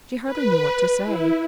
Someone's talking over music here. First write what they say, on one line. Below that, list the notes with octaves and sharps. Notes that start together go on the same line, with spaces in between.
She hardly knew what to say.
B4
E4